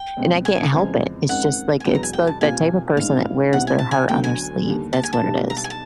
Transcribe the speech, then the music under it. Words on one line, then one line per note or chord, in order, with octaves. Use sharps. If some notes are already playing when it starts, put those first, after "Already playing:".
and I can't help it. It's just, like, it's the the type of person that wears their heart on their sleeve. That's what it is.
Already playing: G5
C#2 B2 G#3 C4
G#5
E2 C#3 F3 G#3 C4
F#2 D#3 G#3 C4 F#5
G#5
E1 E2 B2 F#3 B3 G5
A#5
G#5
G5
A5
B1 A#2 G3 C4 F4 G#5
A1 G2 D#3 G#3 C#4 F5
B1 B2 G3 C4 E4 F#5
G#5
A5
G#5
D2 D3 F#3 B3 G5
G#5
D#2 D3 G3
A5
G#5
A5
B1 B2 G3 B3 D4
A#5
A5
G#5
A5